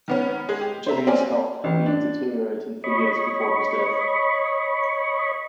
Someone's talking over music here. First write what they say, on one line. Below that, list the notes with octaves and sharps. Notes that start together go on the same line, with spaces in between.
Jennings's health had been deteriorating for years before his death.
D#3 B3 C#4
G#3 G#4
G4
C5 E5 A#5
C4 C#4 D5 G#5
A1
D4
C#5 D#5 B5 C#6